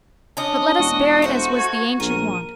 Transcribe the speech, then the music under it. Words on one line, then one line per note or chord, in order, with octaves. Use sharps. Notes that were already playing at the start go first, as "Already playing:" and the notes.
But let us bear it as was the ancient wont.
C#4 D4 D#5
E1 F#4
A3 C5
G#6
A#1 A#4 D#7